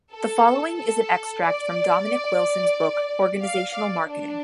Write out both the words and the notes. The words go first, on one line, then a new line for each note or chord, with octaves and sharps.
The following is an extract from Dominic Wilson's book "Organizational Marketing".
A4
A4
D5
F5
D5
D4